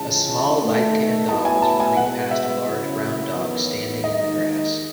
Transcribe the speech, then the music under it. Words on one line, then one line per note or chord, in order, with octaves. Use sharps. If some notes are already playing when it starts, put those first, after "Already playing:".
A small light tan dog is running past a large brown dog standing in the grass.
Already playing: C#2 C#3 E3 G#3 C#4 A5
D#2 D#3 A3
A2 F#3 B3 E4 A5
G#5
A5
G#5
B2 G#3 B3 F#5
E5
C#3 F#3 C#4 E4
E2 D#3 F#3 B3
D#2 D#3 G#3 D#4 D#5